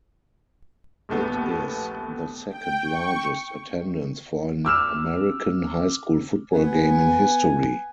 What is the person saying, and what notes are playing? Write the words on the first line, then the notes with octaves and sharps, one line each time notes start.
It is the second-largest attendance for an American high school football game in history.
A#1 D#2 A3 B3
G5
C#6
D6 E6 F6 E7
B3 G#5